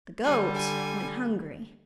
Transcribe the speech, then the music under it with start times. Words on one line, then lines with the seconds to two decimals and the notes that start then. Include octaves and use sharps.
The goat went hungry.
0.23 D3 G3 G#5
0.55 G#5